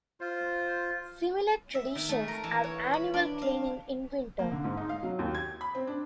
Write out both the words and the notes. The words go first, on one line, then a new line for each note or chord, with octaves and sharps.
Similar traditions have annual cleaning in winter.
F4 C5
E5
D#3
A3
A#4
E3
C#5
B5
D4
F5
A#3
D3
G#2
D#4
F5
F#3
D#2
G#6
B5
C4
D4